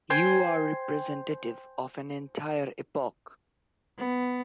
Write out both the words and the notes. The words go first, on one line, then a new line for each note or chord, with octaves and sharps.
You are representative of an entire epoch!
C5 G5 G#5
B3